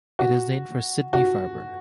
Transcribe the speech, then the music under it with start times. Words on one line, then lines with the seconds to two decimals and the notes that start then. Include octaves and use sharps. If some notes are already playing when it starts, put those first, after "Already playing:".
It is named for Sidney Farber.
0.19 F#4
1.13 F#4